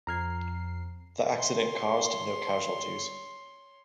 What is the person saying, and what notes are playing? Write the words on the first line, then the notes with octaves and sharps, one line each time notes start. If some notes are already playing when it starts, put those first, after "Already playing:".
The accident caused no casualties.
F2 A#5 F6 G#6 C7
C#5 C6